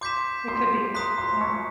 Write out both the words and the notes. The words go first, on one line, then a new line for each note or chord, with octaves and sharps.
It could be, yeah.
C6 D6 G6 B6 E7
C6
A#5 C6 D#6 F#6 B6
C6
C#6